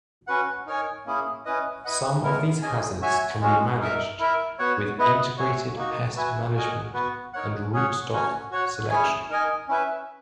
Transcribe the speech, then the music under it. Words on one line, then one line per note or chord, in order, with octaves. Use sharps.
Some of these hazards can be managed with integrated pest management and rootstock selection.
C#4 F#4 B4 F#5
D#4 A#4 C#5 G#5
A#3 C#4 E4 G#4
C#4 E4 B4 D#5
E4 B4 D#5 F#5
B3 E4 A#4
C#4 G#4 D#5 G#5
F#4 C#5 E5 G#5
G#3 C#4 F#4
D#4 A#4 E5
E4 A#4 E5
B3 F#4 C#5 F#5
B3 E4 B4 D#5
F#4 C#5 E5 G#5
A#3 D#4 F#4
F#4 B4 E5 G#5
F#4 A#4 D#5 G#5
B3 F#4 B4
D#4 A#4 C#5 F#5
C#4 G#4 C#5 F#5
C#4 F#4 C#5 G#5
F#4 C#5 F#5
C#4 E4 G#4 C#5 G#5
D#4 A#4 D#5 G#5
C#4 E4 B4 E5